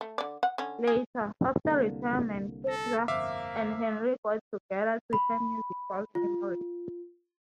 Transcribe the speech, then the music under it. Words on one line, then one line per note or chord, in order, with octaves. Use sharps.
Later, after retirement, Kyser and Henry got together to share music world memories.
A3
D3 D5
F#5
D3 C#4
G#4
C2 D3 A#3
A4 A#6
G1 F2 A#3 C5 E5 F5 D6
B5
F4